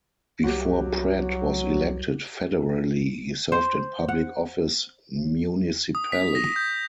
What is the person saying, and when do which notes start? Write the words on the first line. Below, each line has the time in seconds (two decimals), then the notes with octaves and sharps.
Before Pratt was elected federally, he served in public office municipally.
0.44 C2 F#3 F#4 G4
3.52 C5
4.08 F#5
5.95 D#6
6.12 B6
6.35 A#6
6.56 G6